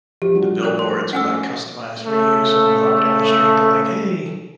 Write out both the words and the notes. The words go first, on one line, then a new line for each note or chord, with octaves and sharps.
the billboards are, like, customized for you, so when you walk down the street, they're like, 'Hey,
F3 G4
G3 D4 F#4
A#4 D5 F#6
C6
A3 C#4 F#5 G#5 E6
C#3 A3 A4